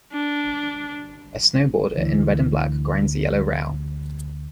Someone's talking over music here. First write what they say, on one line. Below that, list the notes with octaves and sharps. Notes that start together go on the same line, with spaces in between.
A snowboarder in red and black grinds a yellow rail.
D4
D2 E3